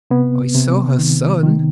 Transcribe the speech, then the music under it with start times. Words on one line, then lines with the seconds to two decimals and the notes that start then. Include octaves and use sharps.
"I saw her son."
0.11 C3 B3
0.55 C3
0.99 D#3
1.43 D#3